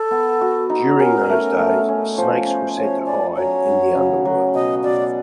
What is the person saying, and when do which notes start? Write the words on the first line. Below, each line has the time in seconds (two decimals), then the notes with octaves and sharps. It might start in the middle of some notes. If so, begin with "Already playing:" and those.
During those days, snakes were said to hide in the underworld.
Already playing: A4
0.11 B3
0.41 F#4
0.70 D#4
0.99 C#4 A#4
1.30 A3
1.59 A3
1.88 C#4
2.18 F3 C5
2.47 C#4 C5
2.77 F3 C#5
3.06 C#4 D5
3.36 F#3 C#5
3.66 F#3
3.95 C#3
4.25 F#3
4.54 B2 D#5
4.83 B2 D5